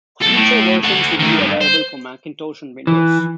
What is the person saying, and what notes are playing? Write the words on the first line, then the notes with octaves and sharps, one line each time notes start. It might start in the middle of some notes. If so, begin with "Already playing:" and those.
Future versions would be available for Macintosh and Windows.
B1 A4
A2 A3
A3 F#5
D#3 A3
G2
C5
E3